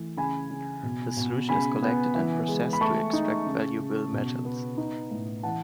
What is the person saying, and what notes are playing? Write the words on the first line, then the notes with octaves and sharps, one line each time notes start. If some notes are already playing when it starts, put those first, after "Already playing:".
The solution is collected and processed to extract valuable metals.
Already playing: E3 A3
C#3 G#5 B5
C#3
B2
B2
C#3 G#5 B5
B3
E3
G#3
B5
A3 A5 C#6
D#4
C#3
C#3
B2
B3
D#4
A2
E3 F#5 A5